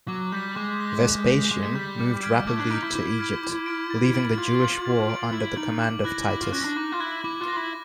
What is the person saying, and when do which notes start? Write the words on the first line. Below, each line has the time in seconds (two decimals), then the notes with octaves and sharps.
Vespasian moved rapidly to Egypt, leaving the Jewish war under the command of Titus.
0.08 F#3 D6
0.32 G3 G6 B6
0.56 G#3 D6
0.80 G6 B6
1.04 D6
1.28 G6 B6
1.51 G#3 D6
1.75 G3 G6 B6
1.99 D6
2.23 F6 G#6 B6 D7
2.47 A3 D6
2.59 D4
2.71 D#4 F6 G#6 B6 D7
2.83 E4
2.95 E4 D6
3.19 F6 G#6 B6 D7
3.43 D6
3.66 F6 G#6 B6 D7
3.90 A6
4.14 D7 F#7
4.38 F4 A6
4.62 D7 F#7
4.85 A6
5.10 D7 F#7
5.33 E4 A6
5.57 D#4 D7 F#7
5.81 D6
6.04 E4 F#6 A#6
6.29 E4 D6
6.41 F4
6.52 C#4 F#6 A#6
6.64 D4
6.76 D#4 D6
6.92 F4
7.00 E4 F#6 A#6
7.24 E4 D6
7.41 F4
7.48 F#6 A#6
7.57 E4